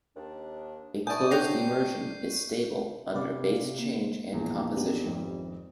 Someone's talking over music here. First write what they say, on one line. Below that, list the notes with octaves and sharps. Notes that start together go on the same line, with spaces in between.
A closed immersion is stable under base change and composition.
D#2 D4
E4 D5 G#5 A5 C#6 D#6 G6
G3 C4 D4 F#4 C#5 G5 C7
C3 B4 D5 F5
A#3
A#1 E2
B3 D4 G4
G#1 F2